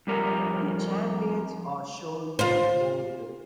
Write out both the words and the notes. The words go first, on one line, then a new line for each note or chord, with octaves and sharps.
The champions are shown in Bold.
F2 G3 A#4
F4 C5